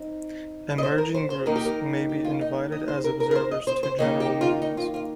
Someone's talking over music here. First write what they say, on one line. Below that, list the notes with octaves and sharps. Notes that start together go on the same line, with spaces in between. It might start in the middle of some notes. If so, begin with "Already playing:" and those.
Emerging Groups may be invited as observers to General Meetings.
Already playing: C4 D#4
D#5
C5
A#4
C5
C5
D#3 A#3 D#4 A#4
G4
A#4
G4
F4
D#4
D#5
C5
A#4
A#4
A#4
C5
D#5
C5
C5
D#3 A#3 D#4
G4
F4
D#4
F4
F4